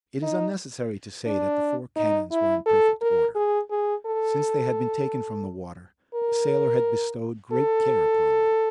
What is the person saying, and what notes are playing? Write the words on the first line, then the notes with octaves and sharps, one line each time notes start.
It is unnecessary to say that the four cannons were in perfect order. Since they had been taken from the water, the sailor had bestowed great care upon them.
D#4
D4
D#4
E4
A4
A#4
G#4
G#4
A4
A#4
A4